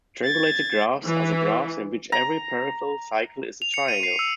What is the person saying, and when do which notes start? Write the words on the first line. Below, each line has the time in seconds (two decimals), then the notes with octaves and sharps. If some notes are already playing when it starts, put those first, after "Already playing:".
Strangulated graphs are the graphs in which every peripheral cycle is a triangle.
0.24 G#6 A6
1.04 E3
2.12 A#5
3.62 F7
3.74 C#7
3.88 D#7
4.03 C7
4.19 E6